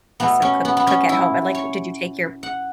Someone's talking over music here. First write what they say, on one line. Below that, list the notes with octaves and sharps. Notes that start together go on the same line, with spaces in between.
also cook cook at home, and, like, did you take your
B2 A3 B3
C#4
B3
B3
C#4
E4
C#5
F#5